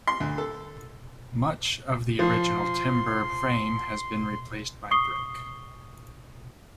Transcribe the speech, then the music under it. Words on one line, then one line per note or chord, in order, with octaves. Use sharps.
Much of the original timber frame has been replaced by brick.
C6
D2
A4
F3 C6
C#6 D#6 C7 G7